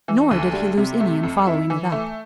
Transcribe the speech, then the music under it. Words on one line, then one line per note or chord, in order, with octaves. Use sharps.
Nor did he lose any in following it up.
E3
D2
G3
C3
A3
F2
E4
E3
A3